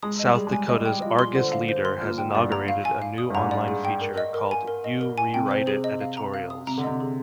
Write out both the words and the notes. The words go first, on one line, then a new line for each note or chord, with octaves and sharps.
South Dakota's "Argus Leader" has inaugurated a new online feature called You Re-Write-It Editorials.
G#3 D#6
D#5
G3
G#4
G#3
G#5
G3 D#5
G5
F3 D#5
C6
D3 C5
F5
C5
C6
A#2 F6
G5
G2 D5
A#5
F5
G#5
F5
D#6
G2
G#2 A#5
D5
G#4
G5
A#4
D#5
A#4
G#5
A#4
D#5
A#4
G#5
C3 G5
C5
G#4
D#5
F5
A#5
F5
D#6
C3 A#5
D3
C3 D#5
G#4